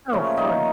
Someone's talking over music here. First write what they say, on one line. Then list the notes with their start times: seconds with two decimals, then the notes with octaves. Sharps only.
Oh, for
0.13 A#2 C#3 F3 A3 C#4
0.37 D#3 D#4